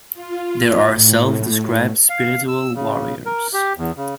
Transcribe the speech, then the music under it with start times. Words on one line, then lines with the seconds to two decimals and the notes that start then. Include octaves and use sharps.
There are self-described spiritual warriors.
0.14 F4
0.86 A2
2.09 F5
2.48 E6
2.75 C#3
3.26 A#4
3.53 G4
3.78 E2
3.97 C#3